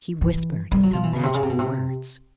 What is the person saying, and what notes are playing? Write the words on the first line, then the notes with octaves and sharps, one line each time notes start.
She whispered some magical words.
E3
G3
F#3
F3
E3
B2
C3
C#3
C3
B2
C3